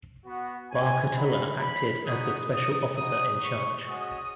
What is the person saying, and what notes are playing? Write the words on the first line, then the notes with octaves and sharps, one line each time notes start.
Barkatullah acted as the Special Officer in charge.
B3 F#4
G#5
G#3 D#4 F#4 B5
B5
G#3 B3 D#4 F#4 D#6
D#6
G#3 D#4 F#4 D#6
C#6
G#3 C#4 F#4 D#6